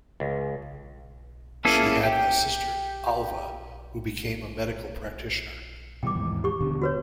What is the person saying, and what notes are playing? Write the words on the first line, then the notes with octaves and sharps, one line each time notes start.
She had a sister, Alva who became a medical practitioner.
C#2
A#3 C#4 E4 G#4 A4
G4 G5
B2 E3 G3 G5 D6
D#2 G#2 E3
G4 C#6
D#1 B2 D3
F#4 B4 C#5